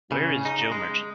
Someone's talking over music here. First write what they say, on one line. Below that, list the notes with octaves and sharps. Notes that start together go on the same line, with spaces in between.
Where Is Joe Merchant?
C#3
D#4
G#3